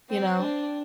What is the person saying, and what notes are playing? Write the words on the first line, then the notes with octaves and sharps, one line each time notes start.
you know?
C4
D4